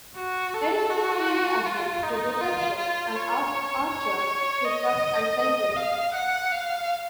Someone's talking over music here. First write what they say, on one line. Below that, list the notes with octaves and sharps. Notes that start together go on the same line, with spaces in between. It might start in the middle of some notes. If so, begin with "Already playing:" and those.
Erickson freely admits the deception, and asks Archer to trust and help him.
F#4
A4
F#4
F4
D#4
F4
F4
C#5
C#5
D#5
D#5
F5
F#5
F5